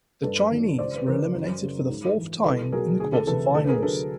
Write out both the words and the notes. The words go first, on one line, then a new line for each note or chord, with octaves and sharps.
The Chinese were eliminated for the fourth time in the quarterfinals.
G2 A4 B4
D#3 F#3
C#2 C5 D5
B4
C#3 E3 A#4 C5
F#2
C#3 F#3
G#2
E3
C2 A4 B4
B2 F#3 G#4 A#4
D2 G#4
A4
C3 E3 A4 B4
D2 A4
B4
G#4 A#4
D3 F#3 A4 B4